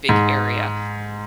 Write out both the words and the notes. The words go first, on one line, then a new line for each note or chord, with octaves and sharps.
big area,
G#2